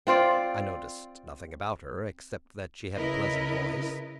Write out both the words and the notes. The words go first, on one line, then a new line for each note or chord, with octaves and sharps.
I noticed nothing about her except that she had a pleasant voice.
C4 F4 C5 D5
C#3 E4 A#4 B4 D#5